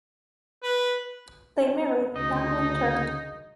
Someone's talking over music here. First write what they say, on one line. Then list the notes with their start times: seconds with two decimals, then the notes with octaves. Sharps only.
They married that winter.
0.63 B4
2.16 D2 C#3 D#4 D#5